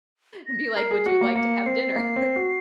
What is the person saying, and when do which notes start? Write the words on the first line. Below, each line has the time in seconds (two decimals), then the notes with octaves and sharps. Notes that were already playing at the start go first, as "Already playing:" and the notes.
and be, like, "Would you like to have dinner?"
0.47 A#6
0.76 A#4 C7
0.91 G#4
1.06 F#4 C#7
1.21 A#3
1.35 A#3 C#7
1.66 C4 C7
1.96 A#3
2.16 C4
2.36 F#4